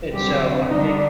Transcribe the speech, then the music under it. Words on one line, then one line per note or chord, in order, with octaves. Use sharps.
and so I think
D3 F#3 G3 C4 G4
F#4
D3 G3 D4 D#4